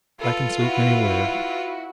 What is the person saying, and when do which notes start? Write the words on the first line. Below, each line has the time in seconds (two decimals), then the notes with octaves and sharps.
'I can sleep anywhere.
0.20 F4 A4 B4
0.59 E4 F#4